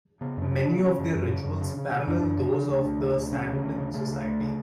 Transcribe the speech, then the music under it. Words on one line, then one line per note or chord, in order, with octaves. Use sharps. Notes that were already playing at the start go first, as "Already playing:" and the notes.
Many of their rituals parallel those of the Sande society.
C#3 B3
F#2
C#4
C#3
D4
C#3
B3
C#3 C#4
F#2
F#2
C#3
F#2
C#3
C#3
C#3
F#2 D4
F#2
C#3
C#3
D2
D2
C#3
D2
C#3 C#4
D2
D2
C#3
C#3 A3
D2
D2
C#3